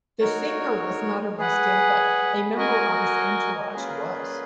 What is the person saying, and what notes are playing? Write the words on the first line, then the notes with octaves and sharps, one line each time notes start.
The singer was not arrested, but a member of his entourage was.
D#4 F#4 A#4 C#5
G#4 B4 F#5
F#4 A#4 D#5 G#5
A#3 C#4 F4 G#4 B4